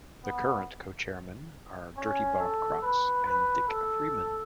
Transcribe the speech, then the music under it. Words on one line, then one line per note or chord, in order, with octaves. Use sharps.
The current co-Chairmen are "Dirty Bob" Krotts and Dick Freeman.
B3
C#4
A4
B4
B4
A4